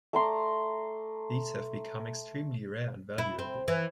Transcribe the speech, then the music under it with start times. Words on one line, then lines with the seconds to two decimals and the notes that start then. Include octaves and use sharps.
These have become extremely rare and valuable.
0.13 A3 A#5 C6 D6
3.18 E4
3.39 C4
3.68 E3